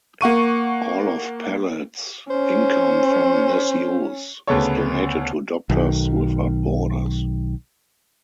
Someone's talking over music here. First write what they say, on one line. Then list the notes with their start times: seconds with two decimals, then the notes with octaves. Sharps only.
All of Pallett's income from this use is donated to Doctors Without Borders.
0.21 A#3 F#5 C#6 D#7
2.31 C#4 C5
4.47 D2 C#3 B3 A4 C#5
5.70 B1 D#3